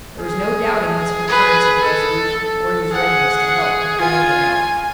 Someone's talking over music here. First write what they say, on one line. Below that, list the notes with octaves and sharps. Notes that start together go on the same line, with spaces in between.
There was no doubting his concurrence in the resolution, or his readiness to help in carrying it out.
G#4
G#4 B4
A4
A4
G#4 F#5
F4 G#5